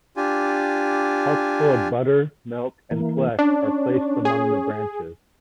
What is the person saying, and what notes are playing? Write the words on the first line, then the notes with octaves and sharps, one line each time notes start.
Pots full of butter, milk, and flesh are placed among the branches.
D4 F4 G4 G#5
E3 A#3
C#4 D4
G#4